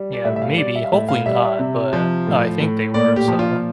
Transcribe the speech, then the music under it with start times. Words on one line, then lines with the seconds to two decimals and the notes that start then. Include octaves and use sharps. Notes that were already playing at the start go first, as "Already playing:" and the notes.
Yeah, maybe, hopefully not, but I think they were, so
Already playing: G3
0.13 D5
0.24 A2 E5
0.36 E5
0.42 F5
0.58 G3 D5
0.76 E5
0.84 F5
0.92 A2 E5
1.08 F5
1.26 G3 E5
1.42 E5
1.59 C3
1.93 F3
2.27 A2
2.60 A2
2.94 A#2 D5
3.16 G4
3.28 F3
3.39 F4